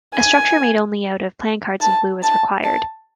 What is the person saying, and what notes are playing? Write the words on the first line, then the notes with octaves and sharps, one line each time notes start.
A structure made only out of playing cards and glue was required.
G#5
A5
A5
A5